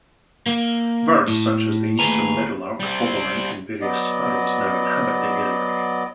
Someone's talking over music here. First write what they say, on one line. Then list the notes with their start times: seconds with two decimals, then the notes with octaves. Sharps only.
Birds such as the Eastern meadowlark, bobolink, and various sparrows now inhabit the area.
0.46 A#3
1.28 A2
1.99 D#2 C#3 A3 G#4 B4 A#5
2.80 G3 C4
3.81 F#3 B3 D5 D#5